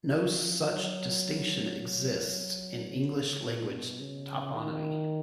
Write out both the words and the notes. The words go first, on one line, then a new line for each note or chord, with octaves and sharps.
No such distinction exists in English-language toponymy.
F3
F#3
F#3
C#3
B2
C#3
D#3